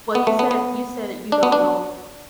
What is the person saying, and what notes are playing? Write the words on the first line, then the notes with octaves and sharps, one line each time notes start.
Well, you said you said you don't know
B3
A3
B3
B3
D4
B3
D4